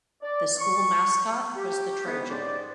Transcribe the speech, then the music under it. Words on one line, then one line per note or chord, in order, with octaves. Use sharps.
The school mascot was the Trojan.
D5
C#6
G4
G#2 B3
G#2 C#4 C5 D5